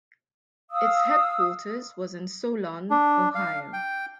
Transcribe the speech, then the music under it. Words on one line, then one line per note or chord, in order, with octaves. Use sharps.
Its headquarters was in Solon, Ohio.
F5 D#6 E6
D4
F5
G5